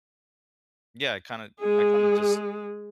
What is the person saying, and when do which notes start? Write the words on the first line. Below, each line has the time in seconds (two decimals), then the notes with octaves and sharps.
Yeah, I kinda I kinda just
1.60 G#3 G#4